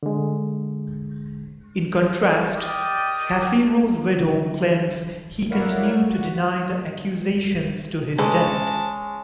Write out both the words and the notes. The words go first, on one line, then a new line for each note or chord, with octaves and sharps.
In contrast, Schapiro's widow claims he continued to deny the accusations to his death.
D3 G#3
G4 A#4 D5 D#5 G5
D3 E3 F#3 G3
E4 A#4 C#5 D5 F5 F#5
F#4
G#3 C#4 G#4 A4 B4 A5